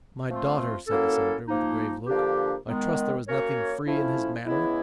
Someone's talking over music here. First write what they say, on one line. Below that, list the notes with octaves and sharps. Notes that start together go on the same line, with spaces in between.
"My daughter," said the Senator, with a grave look, "I trust there was nothing free in his manner?"
F3 A3 C4 F4
F#3 A#3 C#4 E4 A4
F3 A#3 D#4
D3 F3 A#3 D4 G4
D#3 G#3 B3
A#3 C#4 F#4 A#4 C#5
F3 A3 C#4 E4
C#3 E3 G#3 B3 E4